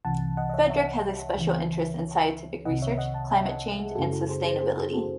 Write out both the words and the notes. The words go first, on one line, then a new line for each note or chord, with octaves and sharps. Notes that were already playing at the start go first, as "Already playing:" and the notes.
Frederik has a special interest in scientific research, climate change and sustainability.
C2 C3 E3 F#5 A5
D#5 F#5
D#5
C#5 E5
C#5 E5
C#2 C#3 E3
C2 C3 D#3 D#5 F#5
C#5 E5
D#5 F#5
F#5 A5
E5 G#5
D#5 F#5
G#4
F#2 C#3 G#3 C#4 E4 F#4 A4
F#4 A4
G#4 C5
G#4 C5
G#4 C5
G#4
F#4 A4